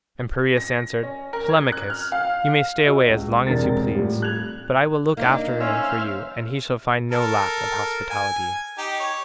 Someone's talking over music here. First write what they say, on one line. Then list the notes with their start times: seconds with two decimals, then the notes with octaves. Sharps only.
And Piraeus answered, "Telemachus, you may stay away as long as you please, but I will look after him for you, and he shall find no lack of hospitality."
0.58 A#6
1.03 C#4
1.33 A#4
1.49 G#6
1.72 F#6
1.90 F6
2.12 F5
2.84 F#4 D#5 E6
3.08 C#2
3.47 E1 C3 C4 D4 A#4 A6
3.93 A2 G3 F4
4.22 F#6 G#6 F7
5.17 A#3 D4 D#4
5.61 C#4 C5 E5 F5
7.12 A4 A#4
8.11 G#5
8.78 D#4 G4
9.00 C#5